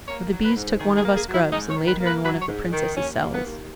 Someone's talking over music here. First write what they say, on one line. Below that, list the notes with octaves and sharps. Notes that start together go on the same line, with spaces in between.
But the Bees took one of us Grubs and laid her in one of the Princesses' cells.
A#3 C#5
F#3
B4
G#2
D#3 G#4
G#4
A#3
G#4
F#3
E4
G#2 D#4
C#5
D#3
B4
A#3
B4
F#3 B4
C#5
G#2
D#3
D#2 C#4
A#3
B3
D#2